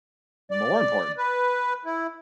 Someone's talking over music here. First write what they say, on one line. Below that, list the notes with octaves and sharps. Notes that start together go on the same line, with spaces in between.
More important.
D5
B4
E4